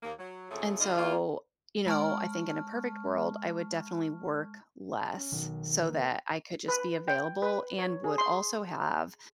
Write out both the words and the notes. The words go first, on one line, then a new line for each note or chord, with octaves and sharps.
and so, you know, I think in a perfect world, I would definitely work less so that I could just be available and would also have
D#2 A#3
F#3
F2 C#3 F#3 A3 G#4
D3 G3 D4 F4 D#5
A#3 D#4 F4
G#3 A5 C#6 F6
C#4
B1 D#3
A#3 B4
B4
G5
B4
C#5
G#4
C6